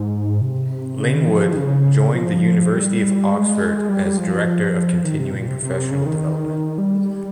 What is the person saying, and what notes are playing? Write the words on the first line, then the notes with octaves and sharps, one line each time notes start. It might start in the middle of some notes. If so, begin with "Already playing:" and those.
Lingwood joined the University of Oxford as Director of Continuing Professional Development.
Already playing: G#2
C3
C#3
D#3
F3
D#3
C#3
F3
G3
G#3
G3
G3
F3
D#3
C3
A#2
C3
C3
C#3
D#3
G3